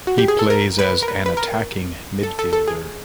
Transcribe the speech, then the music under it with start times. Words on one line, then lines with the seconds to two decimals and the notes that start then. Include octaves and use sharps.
He plays as an attacking midfielder.
0.07 F#4
0.18 G4
0.28 G#4
0.39 A4
0.50 A#4
0.79 B4
1.03 A#4
1.08 B4
1.26 B4
1.37 A#4
2.23 A4
2.39 A4
2.53 A4
2.68 G#4